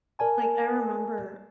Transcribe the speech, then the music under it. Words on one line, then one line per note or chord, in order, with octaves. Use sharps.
Like, I remember
A#4 D5 G#5 A5